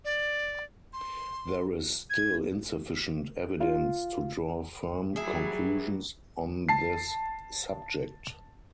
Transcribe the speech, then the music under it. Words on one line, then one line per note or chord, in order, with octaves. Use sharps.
There is still insufficient evidence to draw firm conclusions on this subject.
D5
C6
G#6
F4
F#3 G3 E4 G#4
A5 C7